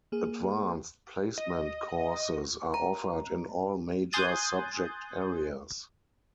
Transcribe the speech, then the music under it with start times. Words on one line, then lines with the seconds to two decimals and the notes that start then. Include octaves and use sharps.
Advanced placement courses are offered in all major subject areas.
0.12 A#3 G#4
1.38 D#5
2.74 A#5
4.13 G#5 C6 D#6 F#6 G6 A6